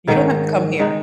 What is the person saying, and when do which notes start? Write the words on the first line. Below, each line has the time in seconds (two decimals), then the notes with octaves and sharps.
You don't have to come here."
0.07 G#2 D#3 G#3 D#4
0.79 D#3 G#3 D#4